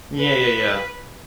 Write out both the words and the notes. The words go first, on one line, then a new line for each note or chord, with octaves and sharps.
Yeah, yeah, yeah.
B4